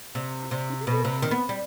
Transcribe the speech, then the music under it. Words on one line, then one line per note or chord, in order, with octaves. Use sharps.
I cou Could you do that?
C3
C3
B2
C3
D#3
B3
G3